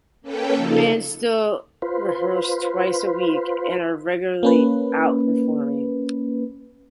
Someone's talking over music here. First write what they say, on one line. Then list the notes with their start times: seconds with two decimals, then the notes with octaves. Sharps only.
The band still rehearse twice a week and are regularly out performing.
0.22 A#3 C#4 A4 B4 C#5 G5
0.55 C#3 F3 A#3 D#4 A4
1.82 F4 B4 C5
4.43 A#3 C#4 B4